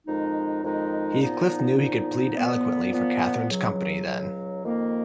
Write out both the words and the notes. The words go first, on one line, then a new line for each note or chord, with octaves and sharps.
Heathcliff knew he could plead eloquently for Catherine’s company, then.
F2 D#3 G#3 D#4
F2 D#3 G#3 D#4
A#2 F3 B3 D#4
A#2 F3 B3 D#4
A#2 F3 B3
A#2 F3 B3
C#2 C#3 F#3
C#2 C#3 F#3
F2 D#3 A#3